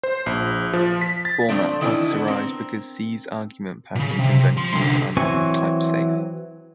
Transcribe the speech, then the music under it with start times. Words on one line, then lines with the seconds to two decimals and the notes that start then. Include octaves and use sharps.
Format bugs arise because C's argument passing conventions are not type-safe.
0.03 C5
0.26 A#1
0.73 F3
1.01 B6
1.25 A6
1.49 F3 A3 C4 D4
1.81 D#3 E3 A3 D4 E4
2.11 D3 B3
2.28 C4 A#4
3.95 A#2 C#3
4.19 C3
4.57 F3 C6
4.73 C2 D3
5.17 E3 F#3 C4 G#5 C#6